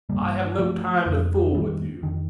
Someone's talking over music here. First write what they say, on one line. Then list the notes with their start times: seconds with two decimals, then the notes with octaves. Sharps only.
I have no time to fool with you.
0.09 G2 D3 G3 A#3
0.59 F3 A3
1.06 F2 D3
1.55 D#3 G3
2.03 F2 D3 D#3